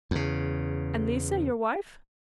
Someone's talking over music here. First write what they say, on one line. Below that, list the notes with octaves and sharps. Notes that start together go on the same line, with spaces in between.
"And Lise, your wife?"
E2 C#3